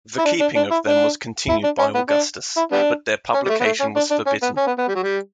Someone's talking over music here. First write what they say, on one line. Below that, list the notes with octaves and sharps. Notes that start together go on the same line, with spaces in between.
The keeping of them was continued by Augustus, but their publication was forbidden.
E4
D4
D4
D4
E4
D4
E4
D4
C#4
B3
D4
E4
G3 B3 D4
C#4
G3
A3
B3
A3
C#4
D4
D4
C#4
B3
C#4
B3
B3
G3
F#3
G3